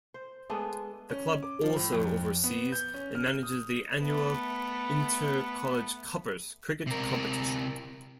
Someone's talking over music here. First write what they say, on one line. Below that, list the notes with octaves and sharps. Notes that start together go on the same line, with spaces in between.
The club also oversees and manages the annual inter-college 'Cuppers' cricket competition.
C5
G#3 A3 B3 D4
C#4
D6
F3
A2
F2
B3
G6
C#4
F6
D#6
A3 B3
C3 A#4